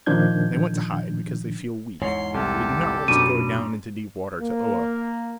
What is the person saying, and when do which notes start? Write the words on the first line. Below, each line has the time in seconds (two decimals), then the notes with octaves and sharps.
They want to hide because they feel weak; they do not want to go down into deep water to Oa.
0.06 A#2 D#3 F3 D4 G6 G#6
2.02 E2 G#2 C#5 C6
2.34 C2 G4 A4
3.08 F#2 B2 D4 D6 D#7
4.40 A#3